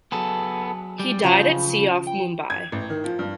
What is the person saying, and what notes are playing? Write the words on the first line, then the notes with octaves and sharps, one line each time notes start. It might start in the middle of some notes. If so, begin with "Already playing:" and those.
He died at sea off Mumbai.
F#3 B3 G#4 A4
G3
C#3 F3 G5
G5
G#6
A1
D#3
F3
G2